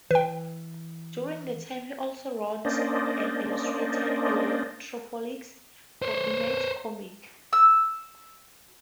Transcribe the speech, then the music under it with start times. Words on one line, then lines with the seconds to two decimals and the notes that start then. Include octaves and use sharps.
During that time he also wrote and illustrated "Electropolis" for Image Comics.
0.11 E3 B4 G5
2.65 A#3 C#4 D4 C5 D5 D#5
6.02 C5 C#5
7.53 E6